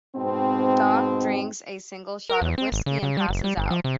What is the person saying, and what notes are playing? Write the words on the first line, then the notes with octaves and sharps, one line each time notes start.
Doc drinks a single shot of whiskey and passes out.
G#2 B2 C4
A#4
E2
C4
G#1
C#3
C#3
G3
F#1
G3
G1
F3
C3